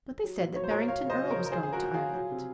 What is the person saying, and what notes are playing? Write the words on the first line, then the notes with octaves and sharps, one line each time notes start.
"But they said that Barrington Erle was going to Ireland."
F#3
A#2
F#3 C#5
C5
A#2 A#4 C#5
F#3 C#5 F5
C#3
C5 D#5
F#3
C#3 A#4 C#5
A#4
F3 G#4 C5
C#3 G#4
F#4 A#4
F3
F4 G#4
C#3
F#3
C3